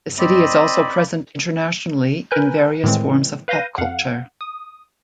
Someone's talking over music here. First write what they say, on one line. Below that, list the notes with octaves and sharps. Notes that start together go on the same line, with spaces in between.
The city is also present internationally in various forms of pop culture.
C4 D5 D#5 B5
A#4 B4 G#5 F#6 G6
A2 D#3 E3 G#3 C4
B4 F5 G6 A#6 D#7
F2 F5 F#5
D#6